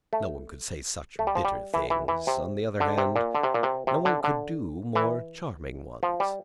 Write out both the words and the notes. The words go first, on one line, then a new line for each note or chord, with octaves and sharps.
No one could say such bitter things; on the other hand, no one could do more charming ones.
A3
A3
G3
F3
G3
E3
E3
E3
C3
D3
C3
A#2
D3
C3
A#2
C3
C3
D3
D3
E3
F3
G3